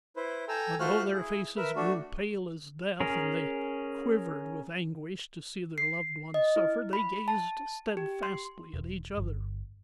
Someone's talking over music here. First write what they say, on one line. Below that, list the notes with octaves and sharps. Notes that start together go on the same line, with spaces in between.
But though their faces grew pale as death, and they quivered with anguish to see their loved one suffer, they gazed steadfastly at each other.
E4 B4 C5
A4 G5 G#5 A#5 E6
A3 F4 F#4 C5 F6 F#6
E4 G#4
A#4 B4 E5
A3 D4 F#4
C#4 G#4 A#4
C7
D#5
E4
B5
A5
G4
C6
E1
G1